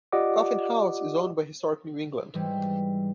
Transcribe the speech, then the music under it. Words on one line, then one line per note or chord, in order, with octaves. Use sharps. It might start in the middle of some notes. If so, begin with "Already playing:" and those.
Coffin House is owned by Historic New England.
F4 G4 D5 D#5 F#5 D6
G#2 E3 G3